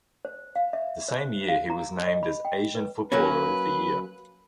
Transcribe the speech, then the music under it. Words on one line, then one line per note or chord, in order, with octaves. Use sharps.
The same year he was named as Asian Footballer of the Year.
C5
F5
E5
C5
C5
F5
A#5
D#5
B5
G5
B4
F#3 A#3 C#4 B4